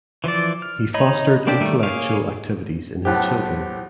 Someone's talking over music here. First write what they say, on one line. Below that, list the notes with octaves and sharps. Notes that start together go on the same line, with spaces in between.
He fostered intellectual activities in his children.
E3 F3 E4 D5
F6
D#4 C#5 D#5 B5
A#3 C4 D4 G4
D#3 G3 A3
A#3 G#4 C#5 F5
B1 A2 G4 C5 F#5 F#6